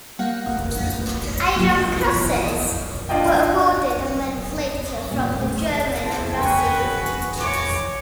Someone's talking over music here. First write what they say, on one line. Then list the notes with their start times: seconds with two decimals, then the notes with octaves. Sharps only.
Iron Crosses were awarded a month later from the German embassy.
0.19 G3 A#3 F5 F#5
1.56 D2 G#2 F#3 G#3 A#3
1.96 B2 E3 F3
3.09 D4 F4 D#5 G5
5.10 F2 A#2 C#3 G3 G#5
5.40 A3 G#4
6.03 C4 E4 A5
6.39 C#3 C#4 F#4 B4 G5 G#5
7.41 C#5 D6